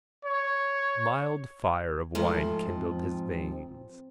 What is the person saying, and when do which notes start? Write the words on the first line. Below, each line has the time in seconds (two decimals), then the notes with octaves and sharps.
Mild fire of wine kindled his veins.
0.25 C#5
2.15 F2 G#2 F3 A3
2.64 C4